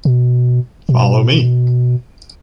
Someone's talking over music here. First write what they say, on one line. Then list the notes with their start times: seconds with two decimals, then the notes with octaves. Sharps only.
Follow me.
0.05 B2
0.89 B2